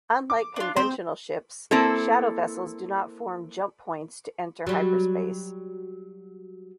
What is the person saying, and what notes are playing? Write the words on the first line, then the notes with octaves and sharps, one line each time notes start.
Unlike conventional ships, Shadow vessels do not form "Jump Points" to enter Hyperspace.
D6
D4 F4
C4 C5
A#3 C4 E4 A4
F#3 G3